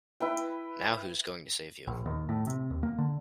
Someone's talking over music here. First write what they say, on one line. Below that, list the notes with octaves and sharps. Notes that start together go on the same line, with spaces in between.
Now who is going to save you?
E4 B4 G5
A#1
D#2
A2
C3
D#2
A#3
D3